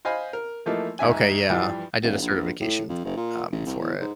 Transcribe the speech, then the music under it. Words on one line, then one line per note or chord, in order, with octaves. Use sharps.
Okay, yeah. I did a certification f um, for it.
C5 D#5 F5 G#5 B5
A#4
E3 F3 A3 A#3 D#4
D#2 G#2 E5 G#5
G2 E3 F3 G3
D#1
A#1
A2
F2
F#1
A#2
A1
C2
E2
G#2